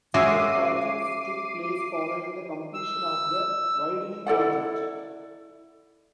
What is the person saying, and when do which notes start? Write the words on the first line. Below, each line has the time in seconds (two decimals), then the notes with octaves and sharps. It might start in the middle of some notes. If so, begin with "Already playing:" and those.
Several projects took place following the completion of the widening project.
0.14 G#3 C#4 F#4 E5 D6 E6 C7 D#7
2.74 E6
4.26 E4 A4 D5 F#5